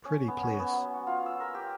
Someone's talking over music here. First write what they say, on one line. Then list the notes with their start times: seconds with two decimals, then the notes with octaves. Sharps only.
Pretty place.
0.05 C#4
0.28 B3
0.43 C#4
0.59 B3
0.73 F#3
0.94 F#4
1.07 F4
1.26 E6
1.40 A#4
1.55 G4